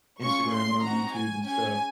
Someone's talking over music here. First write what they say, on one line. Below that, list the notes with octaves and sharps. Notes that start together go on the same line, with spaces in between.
Instagram and on YouTube and stuff.
C#4 F4 G#4 C#6
C6
C4 D#4 F#4 A#5
G#5
C#4 G#4 G#5